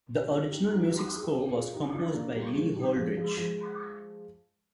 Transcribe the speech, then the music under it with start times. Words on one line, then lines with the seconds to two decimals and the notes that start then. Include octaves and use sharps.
The original music score was composed by Lee Holdridge.
0.19 G4
0.29 F4 G#4
0.50 D#4 G4
0.71 D#4 G4
0.91 D#4 G4
1.15 G#4
1.22 D#4 G4
1.49 G4
1.53 F4 G#4
1.73 D#4 G4
1.93 D4 F4
2.14 A#3 D4
2.36 G3 A#3
2.55 F3 G#3
2.76 D#3 G3
2.96 F3 G#3
3.17 F3 G#3
3.37 F3 G#3